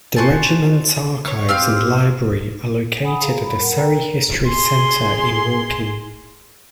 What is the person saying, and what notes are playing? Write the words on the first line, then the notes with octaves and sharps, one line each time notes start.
The regiment's archives and library are located at the Surrey History Centre in Woking.
F#4 C5 G#5 A5
C#5
C4 G4 F5 F6
F#5 G#5 B5 D#6
G#4 F5 A#5
G3 B5
A#4 F#5
A#4 G5 A#5
A#4
G#4 C6